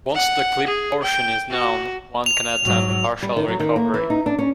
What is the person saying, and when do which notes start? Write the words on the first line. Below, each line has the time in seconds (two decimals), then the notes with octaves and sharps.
Once the clipped portion is known, one can attempt partial recovery.
0.15 F#5
0.67 G#4
1.03 G5 G6
1.51 F#4
2.26 F7
2.63 G#2 F#3
3.22 G3
3.36 D#3
3.48 F#3
3.60 D#3
3.76 A#3
3.94 E3
4.10 D#4
4.26 D4
4.39 C#4